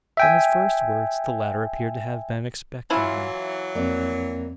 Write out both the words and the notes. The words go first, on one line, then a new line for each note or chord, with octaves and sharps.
From his first words, the latter appeared to have been expecting him.
E5 G5 G#5
E3 F#3 C#4 E4 F4
F2 A#3 C4 D5